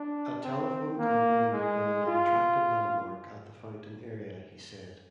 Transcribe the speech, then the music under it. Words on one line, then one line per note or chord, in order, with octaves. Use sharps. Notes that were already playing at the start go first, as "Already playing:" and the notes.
A telephone company would build "an attractive landmark" at the fountain area, he said.
Already playing: D4
C4
A#3
G#3
F4